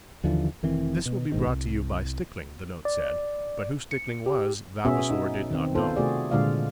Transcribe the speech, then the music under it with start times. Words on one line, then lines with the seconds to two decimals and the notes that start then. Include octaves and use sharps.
"This will be brought to you by Stickling," the note said; but who Stickling was Vavasor did not know.
0.24 D#2 D3 E3 F3
0.62 F1 D#3 E3 C4
1.06 B2
1.32 A#1 G#2 D#3
1.46 C2
2.85 D5
3.91 C#7
4.26 G4
4.85 B2 B3 C#4 F#4 G#4 E5
5.10 D#4
5.51 D#3 C4
5.75 B3 F4 A4 C5
5.96 C3 A3 F#4 G#4 D5
6.31 A#2 D3 G#3 F4 D5 F5